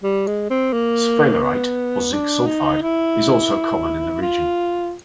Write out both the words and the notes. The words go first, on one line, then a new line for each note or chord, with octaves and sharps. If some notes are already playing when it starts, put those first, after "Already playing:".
Sphalerite or zinc sulfide is also, common in the region.
G3
G#3
C4
A#3
B3
D4
D#4
E4
F4